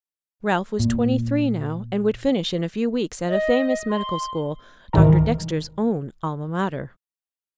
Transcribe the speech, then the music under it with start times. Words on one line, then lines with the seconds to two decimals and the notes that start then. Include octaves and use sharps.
Ralph was twenty-three now and would finish in a few weeks at a famous medical school--Doctor Dexter's own alma mater.
0.79 A#2
3.28 D#5
3.90 C6
4.93 C2 G#2 D#3 E3 A#4